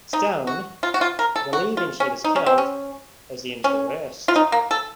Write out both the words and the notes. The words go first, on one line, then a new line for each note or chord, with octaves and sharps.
Stone, believing she was killed, assumes the worst.
D#4
F#4
F4
F#4
F4
A#4
A4
F#4
F4
C#4
D#4
C#4
C4
C#4
C#4
F4
D#4
A#3
A4